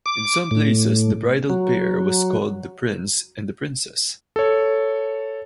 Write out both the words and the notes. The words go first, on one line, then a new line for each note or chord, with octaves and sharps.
In some places the bridal pair was called the prince and the princess.
D6
A2
F#3
A4 C#5